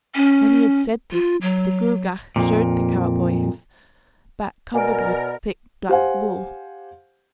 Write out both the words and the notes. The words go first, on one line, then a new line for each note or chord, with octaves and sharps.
When he had said this, the Gruagach showed the cowboy his back covered with thick black wool.
C#4
F4
F#3
F2 A#2
B2 A#4 D5 G#5 D7
G4 C5 F5 F#5 G#5